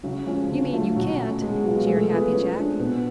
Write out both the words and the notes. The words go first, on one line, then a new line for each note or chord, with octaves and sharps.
"You mean you can't!" jeered Happy Jack.
C#3 F#3
F3 G#3 C#4
D3
F#3 A3 F4
B2 F#3
A3 C#4
B2 G#3
F#3 B3 F4
G#3 A3
B3 F4 G#4 B4
F3 C#4
G#3 D4
B2 B3